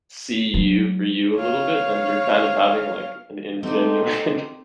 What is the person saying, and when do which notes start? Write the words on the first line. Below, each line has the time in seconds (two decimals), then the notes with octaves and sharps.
see you for you a little bit, then you're kind of having, like, an ingenuine
0.54 F#3
1.36 C#5 F5
3.63 A3 C4 D#4 F#4 G4 C5